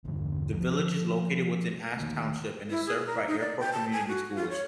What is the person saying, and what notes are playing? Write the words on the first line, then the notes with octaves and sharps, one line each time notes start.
The village is located within Ash Township and is served by Airport Community Schools.
A#1 E2 G2 D3
F3
D#3 F#3 A3 A#3
E4
G#4
A#4
D#4
D5
G5
A5
G#5
F#4
F4
C#5